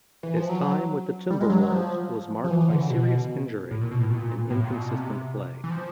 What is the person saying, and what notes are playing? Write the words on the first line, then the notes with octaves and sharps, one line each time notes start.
His time with the Timberwolves was marked by serious injury and inconsistent play.
E3
F3
F#3
G3
G#3
F#3
F#3
F3
F3
E3
E3
D3
C#3
B2
A2
A#2
B2
A2
A#2
A2
A#2
B2
C3
E3
F3